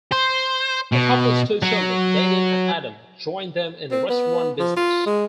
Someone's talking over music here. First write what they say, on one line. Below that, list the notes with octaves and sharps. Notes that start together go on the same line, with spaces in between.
The couple's two children, David and Adam, joined them in the restaurant business.
C5
B2
F#3
C4
B3
F3
F4
G#3